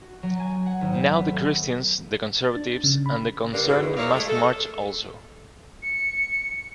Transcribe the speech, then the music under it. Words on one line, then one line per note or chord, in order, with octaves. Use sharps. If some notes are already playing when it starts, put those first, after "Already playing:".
Now the Christians, the conservatives and the concerned must march also.
F#4
F#3
G#5
F#5
G#1
C5
B3
A3
A6
D4
C#3
B5
G2 A#3 D4
G#2 B2
E2
A#4 C#5 D5 E5 F5
G#3 A3
A4
C#7